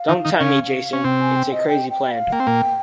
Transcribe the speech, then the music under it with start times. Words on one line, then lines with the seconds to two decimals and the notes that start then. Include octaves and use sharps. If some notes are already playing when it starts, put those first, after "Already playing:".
Don't tempt me, Jason, it's a crazy plan.
Already playing: F5
0.08 D#3 D#4
0.25 D#3 D#4
0.40 C#3 C#4
0.93 C#4
1.04 C3 C4 G5
1.21 G#5
1.37 G5
1.52 D#5
1.68 G5
1.90 G5
2.11 F5
2.32 A#3 G5
2.40 C4
2.46 A#2 A#3